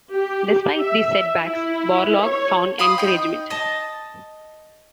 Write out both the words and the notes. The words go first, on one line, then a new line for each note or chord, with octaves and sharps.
Despite these setbacks, Borlaug found encouragement.
G4
E5
E4
C#5
F5 B5 C6 D#6
D#4 G5
D#5 A5